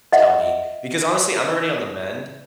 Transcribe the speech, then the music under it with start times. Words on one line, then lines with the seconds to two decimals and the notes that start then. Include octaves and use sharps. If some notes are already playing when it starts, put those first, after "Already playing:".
tell me. Because, honestly, I'm already on the mend.
0.12 D#5 E5 F#5